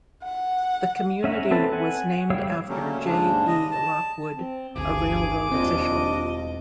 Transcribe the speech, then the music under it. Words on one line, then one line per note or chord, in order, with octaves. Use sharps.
The community was named after J. E. Lockwood, a railroad official.
F#5
C#4 E5 F#5 A#5
C4 A4 B4 A5
F#5 G#5
G3 G4 C#5 F5 E6
C#3 F#3 G3 A3 A#3 C#4
D#2 G#2 C#3 G3 G#3 D4
D#5
A5
C4
G1 D2 G2 G#4 D6
E1 D#2 C4 D4 F4 D#5